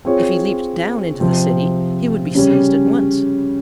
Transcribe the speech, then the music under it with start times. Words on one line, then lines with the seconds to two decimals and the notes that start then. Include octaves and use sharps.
If he leaped down into the City he would be seized at once.
0.05 C4 F4 G#4 C#5
1.20 C3 F3 C4
2.35 C#3 G3 C#4